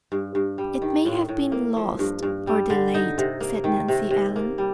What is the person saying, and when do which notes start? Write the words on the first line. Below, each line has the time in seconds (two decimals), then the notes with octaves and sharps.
"It may have been lost or delayed," said Nancy Ellen.
0.12 G2
0.35 G2
0.58 G3
0.82 D#3
1.05 A2
1.29 A2
1.52 A#3
1.76 F3
1.99 G2
2.23 G2
2.47 G3
2.70 D3
2.94 D#4
3.18 C3
3.40 A#3
3.64 D#3
3.88 C3
4.11 C3
4.36 A#3
4.58 G3